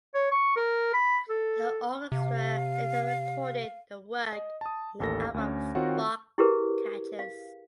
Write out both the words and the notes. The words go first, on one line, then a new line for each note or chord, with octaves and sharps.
The orchestra later recorded the work on their album "Spark Catchers".
C#5
C#6
A#4
B5
A4
C3 F5
D#5
A5 D#6
A1 D#2 A4 A#4 A#6
D2 C#4
D#3 C4 F4 F#4 C#5 F#5
E4 G4 G#4 A#4 B4
F5